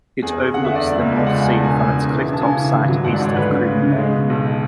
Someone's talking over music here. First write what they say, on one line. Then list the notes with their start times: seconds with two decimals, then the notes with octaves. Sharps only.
It overlooks the North Sea from its cliff-top site east of Cruden Bay.
0.22 E2 G#4
0.38 E2
0.54 D3 F#5
0.64 E2 E5
0.75 D5
0.86 C#2 E5
1.01 C#2
1.16 G#3 D5
1.27 F#5
1.32 C#2
1.38 G#5
1.48 E2 A5
1.64 E1 G#5
1.79 E1 G#5
1.94 E1
2.10 E3
2.26 C#3
2.33 A5
2.41 C#3 G#5
2.58 E3
2.73 G#1
2.89 F#3
3.04 G#2 F#5
3.14 D5
3.20 G#2 C#5
3.36 D2 B4
3.51 C#3
3.66 C#3
3.83 C#3
3.98 G#3
4.14 B2
4.30 B1